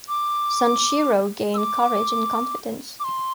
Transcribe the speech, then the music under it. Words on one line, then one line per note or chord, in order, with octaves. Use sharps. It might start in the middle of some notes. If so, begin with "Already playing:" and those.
Sanshiro gained courage and confidence.
D6
E6
D6
D6
C6